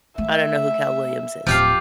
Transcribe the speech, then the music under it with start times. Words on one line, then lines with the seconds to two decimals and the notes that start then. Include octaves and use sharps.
I don't know who Cal Williams is.
0.18 A3 E5
1.47 D1 F3 G4 F5